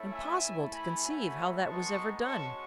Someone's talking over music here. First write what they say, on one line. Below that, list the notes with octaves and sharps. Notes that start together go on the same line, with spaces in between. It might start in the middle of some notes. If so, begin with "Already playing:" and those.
Impossible to conceive how that was ever done....
Already playing: A3 C#4 E4
E5 G#5
A3 E4
G#5 B5
A3 C#4 F#4 G#5 B5
G#3 B3 D#4 A5 C#6
G#3 C#4 F#4 A5 C#6